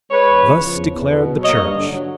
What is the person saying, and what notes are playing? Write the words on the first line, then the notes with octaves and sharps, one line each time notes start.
Thus declared the Church.
G#3 B4 C#5
E2
C#3
F3
E2
E2
B2
F#3
A#3 C#5 D#5
G2
D3
F#3